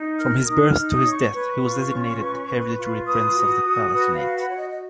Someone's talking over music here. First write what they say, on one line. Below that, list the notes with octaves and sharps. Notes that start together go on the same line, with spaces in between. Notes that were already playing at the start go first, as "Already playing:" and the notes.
From his birth to his death, he was designated “Hereditary Prince of the Palatinate”.
Already playing: D#4
A#4 F6
D#4 D#6
F6
D#4
D#6
C#5
C#6
B4
F4
C#4
B4
B4
F4
B4 D#6
F#4
F#4
B4 D#6
F5
F#4
F#5
F#4 C#5
D#5
D#5